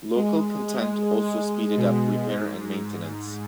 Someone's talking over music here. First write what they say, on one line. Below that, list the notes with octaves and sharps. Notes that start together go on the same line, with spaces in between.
Local content also speeded up repair and maintenance.
G#3
G#3
G#3
B2
G#2